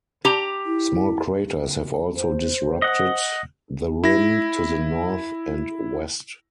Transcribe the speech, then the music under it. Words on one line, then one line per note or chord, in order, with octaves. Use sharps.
Small craters have also disrupted the rim to the north and west.
G4 A#5
E4
C5
D#5 F#5
E4 A#6